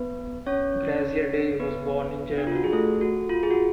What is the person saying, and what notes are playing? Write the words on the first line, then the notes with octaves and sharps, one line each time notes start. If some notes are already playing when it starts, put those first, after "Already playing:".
Graziadei was born in Germany.
Already playing: B3 B4
C#4 C#5
B3 B4
D4
F4
F#4
G#4
A3 A4
F#4
F4
G#4
F#4